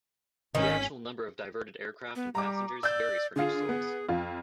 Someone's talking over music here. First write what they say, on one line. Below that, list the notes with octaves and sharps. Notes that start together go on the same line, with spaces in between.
The actual number of diverted aircraft and passengers varies from each source.
G#1 D#3 C#4 B6
B3
G3 A#5 D6
D5 E6 G6
D3 F4 G#4
B3
F2 F4